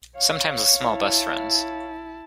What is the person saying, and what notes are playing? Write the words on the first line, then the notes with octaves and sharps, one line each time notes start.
Sometimes a small bus runs.
C#5 F5
E4 A5